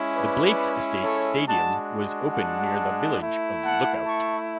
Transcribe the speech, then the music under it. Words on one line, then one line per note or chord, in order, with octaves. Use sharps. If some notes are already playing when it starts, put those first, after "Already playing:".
The Blakes Estate Stadium was opened near the village of Look Out.
Already playing: G#3 C#4 E4
B4 D5
A4 C#5
G#3 D4 F#4 F#5 A5
F#5 A5
A3 E4
F#5 A5
A5 C#6